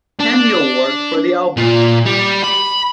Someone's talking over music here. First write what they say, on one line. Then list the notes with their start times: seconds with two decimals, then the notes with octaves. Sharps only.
Handy Award for the album.
0.20 D4
1.57 A#2 F4
2.06 G3
2.44 B5